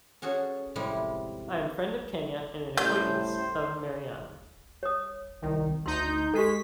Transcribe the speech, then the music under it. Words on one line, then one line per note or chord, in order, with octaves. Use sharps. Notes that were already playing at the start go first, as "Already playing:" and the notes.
I am friend of Kenya and an acquaintance of Marianne.
C#4 F#4 G#4 A4
A2 C3 F3 G3 G#3 E4
A2 G3 C#4 C5 G6
C#5 D#6
C2 D#3
D2 D#4 C6 G6
G#3 G4 A4 B6